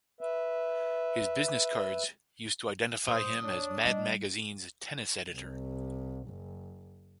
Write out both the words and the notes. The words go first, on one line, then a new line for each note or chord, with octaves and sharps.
His business cards used to identify him as Mad Magazine's Tennis Editor.
B4 E5
A#2 F#3 C5 D#6
D4 C#5
G#2 G3 D#5
C2
F#1